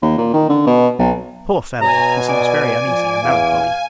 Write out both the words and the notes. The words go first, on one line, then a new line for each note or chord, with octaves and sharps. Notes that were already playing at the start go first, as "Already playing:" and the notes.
Poor fellow! he seems very uneasy and melancholy.
D#2
A#2
D#3
D3
B2
B1
B2 C#5 G#5 A#5
D5 D6
F3
E2 F5